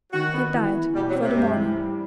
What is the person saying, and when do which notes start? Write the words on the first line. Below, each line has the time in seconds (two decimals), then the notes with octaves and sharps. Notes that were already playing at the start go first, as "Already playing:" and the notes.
He died before the morning.
0.13 D#3 F#4
0.34 B3
0.54 E3
0.74 E3
0.94 B2 G3
1.08 F#3
1.15 C4
1.22 C3
1.35 G2
1.56 E3
1.76 G3